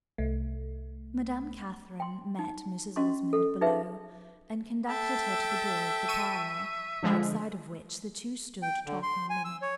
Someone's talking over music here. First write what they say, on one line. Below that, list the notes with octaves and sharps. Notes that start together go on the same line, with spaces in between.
Madame Catherine met Mrs. Osmond below and conducted her to the door of the parlour, outside of which the two stood talking a minute.
C2 A3
G5 C6
D#4
C#4 F#4 D#5 C6 C#6
A4
D#4 G#4 B4 E5
A4 E5 G5 A5
C#6 E6 D#7
D3 F3 G#3
G5
D3
C6
G#5
E6
C#5